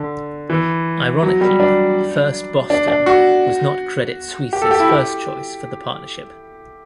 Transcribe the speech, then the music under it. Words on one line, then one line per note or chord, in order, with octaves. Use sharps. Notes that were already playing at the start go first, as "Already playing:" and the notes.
Ironically, First Boston was not Credit Suisse's first choice for the partnership.
Already playing: D3
E3
F#3
G3
D4
D4
D4
F#4
G4
A4
G4
E4
G4